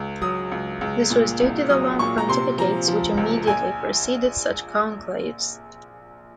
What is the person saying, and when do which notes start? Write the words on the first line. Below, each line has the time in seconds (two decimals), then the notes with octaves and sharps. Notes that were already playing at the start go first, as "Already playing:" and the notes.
This was due to the long pontificates which immediately preceded such conclaves.
Already playing: C#2
0.22 F#3 D#6
0.52 C#2
0.81 C#2
1.10 A#2
1.40 C2
1.70 F#3 D#6
1.99 A#2 C#6
2.18 A#5
2.29 C3 C6
2.58 F3 A#5
2.88 F3
3.17 C#2
3.47 A#1 G#5